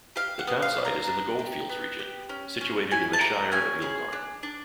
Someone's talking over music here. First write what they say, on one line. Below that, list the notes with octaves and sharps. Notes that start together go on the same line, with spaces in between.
The townsite is in the goldfields region, situated in the Shire of Yilgarn.
G4 F5
F#5
B3
F5
B3
A#5
D4
G4
B3
G4
C#4
C#4
E4 G#5
A5
G4 A#5
C#4 G#5
G#4
D4
D4